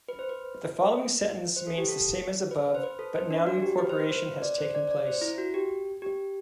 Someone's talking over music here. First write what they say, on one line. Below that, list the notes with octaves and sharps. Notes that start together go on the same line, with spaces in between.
The following sentence means the same as above, but noun incorporation has taken place.
B4
C5
B4
C5
A4
G4
A4
B4
C5
B4
A4
C5
D4
F#4
G4
B4
C5
B4
C5
D5
C5
D5
D5
C5
E4
F#4
G4
G4